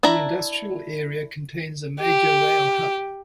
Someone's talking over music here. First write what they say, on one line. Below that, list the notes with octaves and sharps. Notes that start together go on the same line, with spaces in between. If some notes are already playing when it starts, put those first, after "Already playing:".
The industrial area contains a major rail hub.
D4 E4 E5 A#5
G4